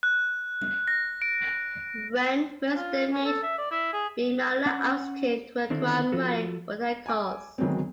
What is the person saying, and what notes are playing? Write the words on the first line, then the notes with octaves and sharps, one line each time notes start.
When first they meet, Bimala asks him to acquire money for their cause.
F#6
A#6
D7
F4
C#4
A4
E5
D5
E4
G#4
C#4 F#5
D3 D#3 C4 D4 E4 A4
F3 F4 F#4 A4
G#5 D6
D2 D#3 F#3 G#3 B3 C4